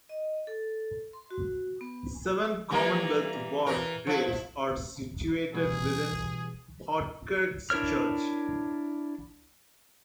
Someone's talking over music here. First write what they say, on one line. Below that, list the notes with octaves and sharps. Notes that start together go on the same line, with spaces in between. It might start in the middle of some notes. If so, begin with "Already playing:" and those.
Seven Commonwealth war graves are situated within Houtkerque's church.
D#5
A4
C6
F#4
B3
E3 G3 A#3
E3 A#4
F3 E4
B2 E3 G3 G#4
D4 E4 A#4 C#5 F6